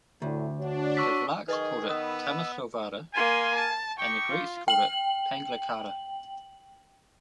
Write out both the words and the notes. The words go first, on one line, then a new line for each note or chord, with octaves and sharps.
The Vlachs called it Tomisovara and the Greeks called it Panglicara.
D2 A2 D3
D4 F#4 C#5
C#6 E6 B6
D#3 G#4 B4 D#5 C#6
B3 D#5 B5 D#6 E6
A#3 F5 G#5 C6
A5
D#4 G4 G5 C#6
F4
G5 F#7